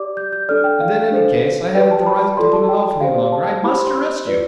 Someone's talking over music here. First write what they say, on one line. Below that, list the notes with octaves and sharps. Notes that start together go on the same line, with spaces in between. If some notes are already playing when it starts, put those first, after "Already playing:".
And in any case, I haven't the right to put it off any longer, I must arrest you.
Already playing: G4 D5 D6
G6
G6
D4 A4 D5 F6
G5
F5
D4 A4 C5
G4 B4 D5 G5
A5
B5
F4 A4 D5 C6
A5
G5
G4 C5 F5
A5
E4 G4 C5 B5
C6
E6
F4 B4 D5